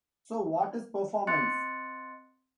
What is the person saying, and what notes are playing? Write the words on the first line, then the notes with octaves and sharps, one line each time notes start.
So what is performance?
C4 D#5 C6 F#6 A6 C#7